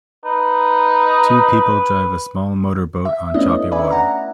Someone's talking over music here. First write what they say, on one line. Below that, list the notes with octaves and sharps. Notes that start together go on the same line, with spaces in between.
Two people drive a small motor boat on choppy water.
D#4 B4
E5
A3 B3 C#4 D4 E4 D#5
B4 D5 E5 G#5
F#5 A#5